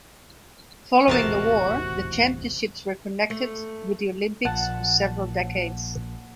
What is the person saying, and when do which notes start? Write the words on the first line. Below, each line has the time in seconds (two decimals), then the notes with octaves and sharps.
Following the war, the championships were connected with the Olympics for several decades.
1.08 D#1 A1 E2 C3 F#4 A#4 A5
3.30 A3
4.45 A#1 A#2 F#5 A5